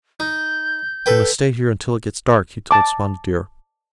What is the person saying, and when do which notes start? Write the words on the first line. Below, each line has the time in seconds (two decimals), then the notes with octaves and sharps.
"We must stay here until it gets dark," he told Spotted Deer.
0.20 D#4 G6
1.06 A4 B4 G5
2.71 A5 D6